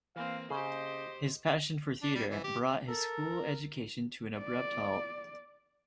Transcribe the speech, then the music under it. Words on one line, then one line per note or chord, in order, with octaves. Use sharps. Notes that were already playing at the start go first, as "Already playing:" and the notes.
His passion for theatre brought his school education to an abrupt halt.
E3 A#3 C4 F5
C#3 G4 G#4 C5 D#5
D4
G3
E3
G4
A4 A#4
D5